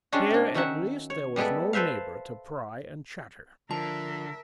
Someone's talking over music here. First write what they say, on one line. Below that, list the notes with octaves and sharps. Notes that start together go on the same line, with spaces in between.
Here at least there was no neighbour to pry and chatter.
G3 G#3 C#4 D4 F4 F#4
C3 D4
D#3 F#3 C#4 E5 F#5
C#5
G3 G#3 B3 E4 A4
A4 B4 C5 E5 F5
D3 F3 A#4 E5 A5